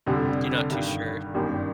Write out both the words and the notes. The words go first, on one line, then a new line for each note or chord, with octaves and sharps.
You're not too sure.
F1 F2 D3 G3
G2 D#3 G3
G1 F#2 D#3 G3 A#3